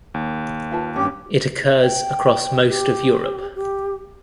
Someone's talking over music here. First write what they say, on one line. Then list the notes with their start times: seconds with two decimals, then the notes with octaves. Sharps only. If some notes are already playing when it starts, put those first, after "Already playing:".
It occurs across most of Europe.
0.14 D#2
0.71 F4 B4 A5
0.96 G2 C#4 G4
1.82 G5
2.68 G4
3.55 G4